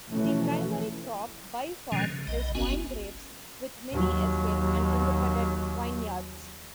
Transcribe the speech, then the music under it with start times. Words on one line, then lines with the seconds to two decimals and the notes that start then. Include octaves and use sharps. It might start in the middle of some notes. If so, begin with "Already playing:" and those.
The primary crop by far is winegrapes, with many estate and independent vineyards.
0.10 B2 E3 F3 A3 C#4
1.92 B2 D3 D#3 F3 G#3 C#4
2.12 C#3
2.27 B1 D#5
2.55 G1 B3 C#4 F#4 G#5
3.91 D#2 F#3